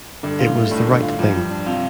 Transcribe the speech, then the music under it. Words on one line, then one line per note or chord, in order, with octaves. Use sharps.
It was the right thing.
G2 D3
F4
A3
A2 D4
D3
F4
G2 F3
F3
D4
C3 F4